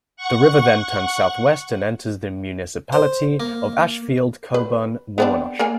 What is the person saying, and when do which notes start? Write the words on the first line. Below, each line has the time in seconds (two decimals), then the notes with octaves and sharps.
The river then turns southwest and enters the municipality of Ashfield-Colborne-Wawanosh.
0.17 F#5 C#6
2.93 C5
3.40 A#3
4.54 B4
5.18 B3 C4 D4
5.59 A#3 A#4 G#5